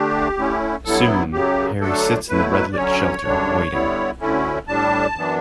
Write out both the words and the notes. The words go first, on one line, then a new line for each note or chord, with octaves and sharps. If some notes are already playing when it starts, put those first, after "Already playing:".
Soon, Harry sits in the red lit shelter, waiting.
Already playing: D3 A3 D4 G4
D3 A3 C#4 E4
G2 F#3 B3 E4 A4
F#2 C#3 F#3 G4
D3 F#3 A3 D4 A4
B2 F#3 A3 E4 B4
B4
D5
D3 F#3 C#4 C#5
F#2 D3 G3 D4
D3 G3 B3 E4
D2 D3 A3 C#4 E4
A2 G3 D4 A5
F#2 E3 B3 D4